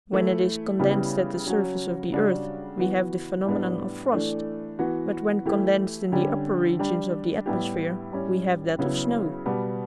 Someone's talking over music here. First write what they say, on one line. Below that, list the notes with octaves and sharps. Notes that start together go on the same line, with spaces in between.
When it is condensed at the surface of the earth we have the phenomenon of frost, but when condensed in the upper regions of the atmosphere we have that of snow.
E3 A3 E4
C#3 G3 B3 E4 G4
F#3 C#4 F#4
C#3 G3 D4 F#4
E3 B3 F#4
A2 G3 B3 D4
E3 A3 D4
E3 B3 F#4
E3 A3 E4 G4
D3 G3 C#4 G4
G3 D4 G4
A2 G3 B3 E4 G4
A2 G3 C#4
C#3 F#3 B3 E4
B2 G3 B3